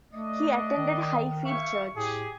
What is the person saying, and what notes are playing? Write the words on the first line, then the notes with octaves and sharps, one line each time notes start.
He attended Highfield Church.
A3 D4 D5 D#5
D#3
E5 F5 C#6
A2 G4 G#4